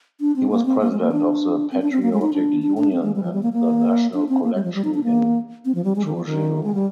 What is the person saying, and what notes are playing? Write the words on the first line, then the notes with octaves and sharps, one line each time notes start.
He was president of the Patriotic Union and the National Collection in Trujillo.
D4
C4
A#3
C4
A#3
G#3
A#3
D4
C4
D4
C4
A#3
G#3
D#4
D4
D4
D4
C4
G#3
G3
F3
G3
A#3
A#3
D4
C4
A#3
G3
F3
G3
D#4
D4
A#3
C4
F3
G3
G#3
D#3
F3
D#3
G#3
G3